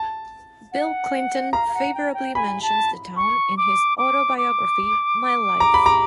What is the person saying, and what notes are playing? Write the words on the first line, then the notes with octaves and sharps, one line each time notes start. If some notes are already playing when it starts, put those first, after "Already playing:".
Bill Clinton favorably mentions the town in his autobiography, "My Life".
Already playing: A5
F#5
F5 A#5
F5
F#5
G5
G5
G#5 B5
A5
C#6
D6
D6
D6
A#5
B5
A#5